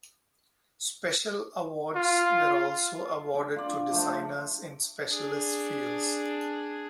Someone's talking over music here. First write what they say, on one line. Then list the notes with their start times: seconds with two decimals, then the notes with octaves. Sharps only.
Special Awards were also awarded to designers in specialist fields.
1.95 F4
3.34 D4 G5
3.56 F4 D5
3.91 F3 A3
5.05 D4 G#4